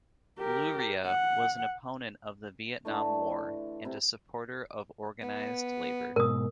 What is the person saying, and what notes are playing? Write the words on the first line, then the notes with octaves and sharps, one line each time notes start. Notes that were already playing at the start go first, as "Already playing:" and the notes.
Luria was an opponent of the Vietnam War and a supporter of organized labor.
G4 A#4
F#5
D3 E3 A3
C3 E4
B3
G#2 B2 A#4 D#6